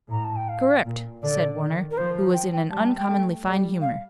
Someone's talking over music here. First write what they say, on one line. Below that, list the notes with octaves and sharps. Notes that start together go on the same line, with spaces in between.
"Correct," said Warner, who was in an uncommonly fine humor.
A2 A#5
A5
G5
F5
A#2
D3 D5
D#3
A#4
F3 C5
G5
G5
G3 A5
A#5
A5
G5
A3
G3
F5